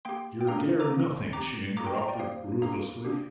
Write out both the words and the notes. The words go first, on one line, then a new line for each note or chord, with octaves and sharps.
"Your dear nothing!" she interrupted ruthlessly.
A#3 G4 G5 C6
G5
A#3 D4 G4 F5 A#5
A#4
C5
A#5 D6
A#3 F4
C4 G4 A#5 D6
A#3 F4 A#5 D6
G5 C6
F5 A#5
D5 G5
A#3 G4 C5 F5
A#3 D4 G4 F5 A#5
A#3 D4 G4